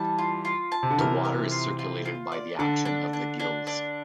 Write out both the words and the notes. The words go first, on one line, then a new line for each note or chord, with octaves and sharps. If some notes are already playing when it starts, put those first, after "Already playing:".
The water is circulated by the action of the gills.
Already playing: E3 G3 A5
F4
F4
A5
C3
D3
C3 E3 A#4
A#4
F4
F4
F4
D5
D3 D4
D4
D4
D4
D4